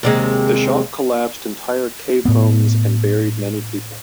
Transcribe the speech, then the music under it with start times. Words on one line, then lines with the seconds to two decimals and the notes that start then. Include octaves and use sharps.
The shock collapsed entire cave homes and buried many people.
0.03 D#2 C3 G#3
2.25 A2 B3